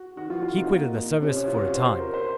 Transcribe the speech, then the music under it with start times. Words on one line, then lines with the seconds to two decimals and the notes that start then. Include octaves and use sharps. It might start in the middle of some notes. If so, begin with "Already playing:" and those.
"He quitted the service for a time."
Already playing: F#4
0.16 D#3 F#4
0.30 F3 F4
0.42 D#3 F4
0.56 C3 D#4
0.69 A#2
1.21 C3 C#4
1.35 C#4
1.48 F4
1.61 F#4
1.75 C5
2.00 A#4
2.14 C5